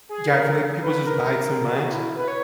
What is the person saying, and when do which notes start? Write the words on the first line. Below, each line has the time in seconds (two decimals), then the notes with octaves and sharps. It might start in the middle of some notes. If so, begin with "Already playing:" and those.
Yeah, I feel like people just buy too much,
0.09 G#4
0.34 A#4
0.82 B4
1.07 A#4
1.75 G#4
1.80 F#4
1.92 E4
2.17 B4
2.28 C#5